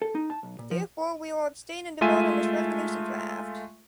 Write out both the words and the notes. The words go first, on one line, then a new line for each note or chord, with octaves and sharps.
Therefore, we will abstain in the vote on this resolution draft.
A4
D#4
A5
B1
A#2
F3
G#3 A3 F4 E5 G#5 D#7